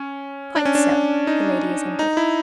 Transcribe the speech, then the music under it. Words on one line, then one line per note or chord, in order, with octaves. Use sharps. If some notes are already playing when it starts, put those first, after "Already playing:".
"Quite so," the lady assented.
Already playing: C#4
D4
C#4
D4
D#4
D#4
E4